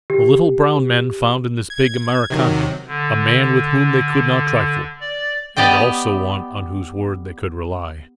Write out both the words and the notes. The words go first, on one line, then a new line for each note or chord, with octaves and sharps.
The little brown men found in this big Americano a man with whom they could not trifle, and also one on whose word they could rely.
G4
G#6
C3 D#3 F#3
D3
D5
B3 G4 D5 D#5 G5